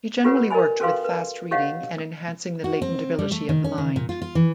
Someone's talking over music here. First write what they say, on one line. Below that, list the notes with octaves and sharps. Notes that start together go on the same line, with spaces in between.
He generally worked with fast-reading and enhancing the latent ability of the mind.
F4 G4 A4 B4 C#5 F#5
A#4 D5 D#5 G#5 B5
C#4 F#4 A4 B4 F5 C6
B4
G4 C#5 D#5 F5 F#5
F#4
C4
G3
A3
D#3
C#4
D#3
A#2
F4
F4
E3